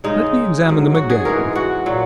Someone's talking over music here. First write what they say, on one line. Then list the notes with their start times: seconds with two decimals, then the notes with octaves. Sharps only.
Let me examine them again.
0.04 C#3 G#3 D#4
0.65 G#2 F#3
0.95 F#4
1.10 G#4
1.25 G#2 E3 G#3 A#4
1.55 F#4
1.86 A#2 F#3